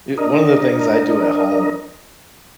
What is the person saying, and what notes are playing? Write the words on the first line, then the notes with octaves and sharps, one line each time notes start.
I one of the things I do at home
D4 A#4 D#5